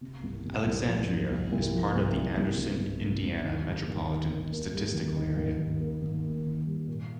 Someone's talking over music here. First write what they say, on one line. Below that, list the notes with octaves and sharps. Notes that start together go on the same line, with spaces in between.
Alexandria is part of the Anderson, Indiana Metropolitan Statistical Area.
C3
C2
C2
C2
F3
F3
C2
C2
F3
C2
C2
C2
C2
C2
C2
C2
D#2
G3
D#2
D#3
D#3
A#3
G3
D#2
D#3
D#2
D#2
A#3
D#2
A#3
D#3
G3
A#2